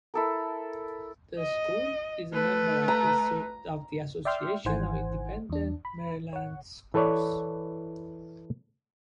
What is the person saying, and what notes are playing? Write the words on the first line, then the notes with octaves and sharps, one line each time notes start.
The school is a member of the Association of Independent Maryland Schools.
E4 A4 A#4
D#5
A3 B4
A#5
D5 E5 G5 C6 F6 G6
G#1 D#3 E3 C5 F#5 G#5
E2 D4
B5
C#5 F#5
E3 A4 B4 C#5 D5